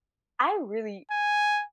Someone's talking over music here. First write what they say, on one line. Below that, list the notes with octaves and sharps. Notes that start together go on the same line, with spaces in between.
I really
G#5